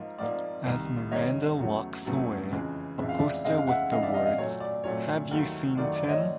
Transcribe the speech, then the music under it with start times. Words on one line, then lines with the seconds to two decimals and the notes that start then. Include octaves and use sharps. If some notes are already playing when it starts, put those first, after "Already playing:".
As Miranda walks away, a poster with the words Have you seen Tim?
Already playing: G#2 F3 A#3
0.18 G#2 F3 A#3 D5
0.66 C2 C3 D#3
1.11 C2 C3 D#3 C#5 D#5
1.58 E2 C#3 F#3 A3
2.05 E2 C#3 F#3 A3
2.51 F2 C#3 E3 G#3
2.98 F2 C#3 E3 G#3 E5
3.09 F5
3.18 D5 E5
3.45 F2 C#3 E3 G#3 D#5 F5
3.57 F5
3.67 E5 F#5
3.91 F2 C#3 E3 G#3 D#5 F5
4.03 D5 E5
4.14 D#5 F5
4.26 D#5 F5
4.38 A#2 F#3 A3 C#5
4.60 D5
4.84 A#2 F#3 A3 C#5
5.31 D#2 D#3 F#3 A3
5.77 D#2 D#3 F#3 A3 D5
5.92 D5
6.08 C#5 D#5